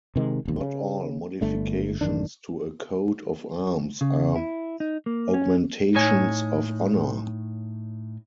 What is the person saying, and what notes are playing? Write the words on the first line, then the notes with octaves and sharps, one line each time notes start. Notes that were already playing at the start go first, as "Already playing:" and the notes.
Not all modifications to a coat of arms are augmentations of honour.
C3 D#3 G#3
E1 D#2
C#3
G1 A3 D4
A1 F#2 D#3 D4
C#3
E4
D#4
A#3
C#4
A2 D#4 C#5 G#5